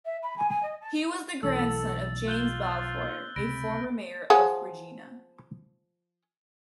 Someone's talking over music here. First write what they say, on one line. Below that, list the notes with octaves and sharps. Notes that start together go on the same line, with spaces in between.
He was the grandson of James Balfour, a former mayor of Regina.
E5
B5
G#5
G#5
D#5
A5
B1 E3 A3 A4 E6 A6
F4 F#6 G6 G7
C#2 C3 B5 A#6 D7
F3 G#4 F#5